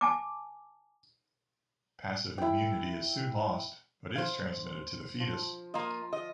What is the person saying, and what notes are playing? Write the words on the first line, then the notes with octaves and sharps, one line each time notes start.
Passive immunity is soon lost, but is transmitted to the fetus.
G#5 A5 D6
E4 G5
C5 F5
F3
A#3 F4 D#5
D#5